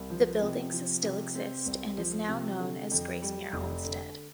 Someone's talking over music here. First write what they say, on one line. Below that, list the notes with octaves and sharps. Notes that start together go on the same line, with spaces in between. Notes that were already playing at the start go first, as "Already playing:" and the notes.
The buildings still exist and is now known as Gracemere Homestead.
Already playing: C2
F3
C3
F3
C3
C4
C2
F3
C3
D3
F2
G3
F1
D3